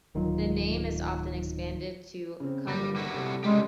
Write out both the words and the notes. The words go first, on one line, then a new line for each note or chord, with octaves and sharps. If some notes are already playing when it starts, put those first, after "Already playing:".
The name is often expanded to Kungl.
D1 D#3 F#3 D#4 F4
C#3 C4
G1 G3 A#3 A#6
G3 E4 F#4
C3 A4
C#3 G3 G#3 G4